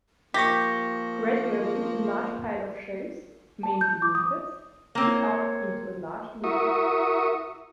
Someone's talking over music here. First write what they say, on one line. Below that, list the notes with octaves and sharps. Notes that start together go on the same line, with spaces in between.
Gradually a large pile of shells, mainly limpets, built up into a large midden.
F3 A#3 G4 C#6 A#6 B6
A5
G6
D6
D#6
A#3 C4 C#5
E4 F#4 A#4 E5 C#6 D#6